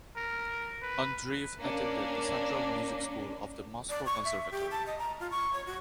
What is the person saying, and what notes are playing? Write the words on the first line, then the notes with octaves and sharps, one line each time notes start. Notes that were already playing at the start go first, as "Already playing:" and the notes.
Andreev attended the Central Music School of the Moscow Conservatory.
A#4
B4
A#3 C#4 D4
D5
C#6
E5
G4
A5
D#5
A#5
F4
C#6
C#5
F#4